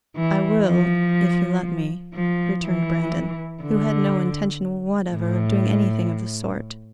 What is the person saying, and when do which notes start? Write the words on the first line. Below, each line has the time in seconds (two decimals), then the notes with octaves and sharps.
"I will, if you let me," returned Brandon, who had no intention whatever of doing anything of the sort.
0.16 E3
0.66 F3
2.14 F3
2.63 E3
3.62 D3
5.11 A2